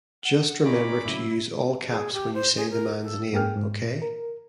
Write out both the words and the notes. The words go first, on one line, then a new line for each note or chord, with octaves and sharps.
Just remember to use all caps when you say the man's name, okay?
F#5
A#2 D#4 C#5 B5 D6
A2 C#3 F#3 E4
G#4
G4
C5
G#4
A#4
A4
G#2 A#3 G#4 G5 F6
G#2
A#2
A#4